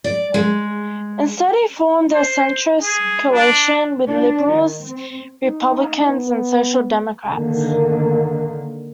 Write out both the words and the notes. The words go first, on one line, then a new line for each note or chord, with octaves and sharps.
Instead, he formed a "centrist" coalition with Liberals, Republicans and Social Democrats.
D5
G#3
C5
G#4
D4
D4
D#3
C4
D#4
B3
D3 D#3 A#3